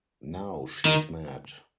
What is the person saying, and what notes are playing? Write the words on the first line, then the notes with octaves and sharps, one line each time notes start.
Now she's mad.
D#3